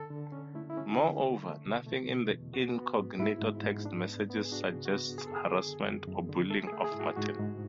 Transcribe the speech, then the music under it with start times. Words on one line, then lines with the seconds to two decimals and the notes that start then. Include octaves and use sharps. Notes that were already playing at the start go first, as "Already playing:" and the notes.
Moreover, nothing in the Incognito text messages suggests harassment or bullying of Martin.
Already playing: D3 A4
0.10 D3
0.32 C#4
0.55 A3 E4
0.70 E4
0.77 C#4
0.99 D3
1.20 A3
1.43 A3
1.65 B2
1.86 A3
2.10 B2
2.31 E2
2.53 B3 F#4
2.75 B3
2.98 G#2
3.19 G#2 E4
3.42 G#2
3.64 G#2
3.85 D4
4.08 B3
4.30 B3
4.45 G#4
4.52 D4 F#4
4.74 C#3
4.85 F#4
4.96 B3
5.18 F#2 G#4
5.26 A4
5.36 D3 G#4
5.62 D3
5.84 F#2
6.07 F#2
6.29 D3
6.50 A3 A4
6.67 G#4
6.72 A3
6.84 G#4
6.92 G#2 E4
7.00 F#4
7.16 G#2 F#4
7.39 G#2